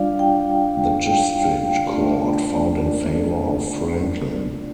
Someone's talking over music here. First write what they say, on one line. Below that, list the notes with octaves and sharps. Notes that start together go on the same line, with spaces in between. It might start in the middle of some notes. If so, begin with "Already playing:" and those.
The district court found in favor of Franklin.
Already playing: G3 D4 F4 D5 F5
G5
G5
F5
A3 D4 F4 D5
D5